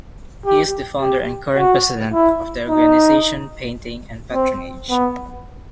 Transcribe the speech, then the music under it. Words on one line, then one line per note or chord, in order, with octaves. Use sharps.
He is the founder and current president of the organisation Painting and Patronage.
G4
G4
F#4
E4
D#4
C4
B3